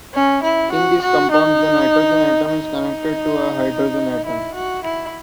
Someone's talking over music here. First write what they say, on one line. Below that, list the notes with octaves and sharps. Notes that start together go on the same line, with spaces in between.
In these compounds the nitrogen atom is connected to a hydrogen atom.
C#4
E4
F#4
F#4
D#4
D#4
E4
F#4
E4